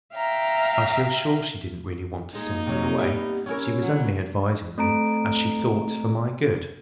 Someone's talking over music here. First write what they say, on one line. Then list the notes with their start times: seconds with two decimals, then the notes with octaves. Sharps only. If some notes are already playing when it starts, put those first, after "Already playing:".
I feel sure she didn't really want to send me away: she was only advising me, as she thought, for my good.
0.14 E5 F5 G5 A#5
2.35 G#3 A#3 D#4
2.66 C3 F#3
2.99 G3 B3 E5
3.46 C#4 E4 A#4
3.82 F#3
4.78 A3 C4 A#5 D7